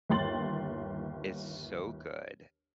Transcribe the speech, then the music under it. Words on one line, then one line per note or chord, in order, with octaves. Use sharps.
is so good,
G1 D#2 G5 C6 A6 F#7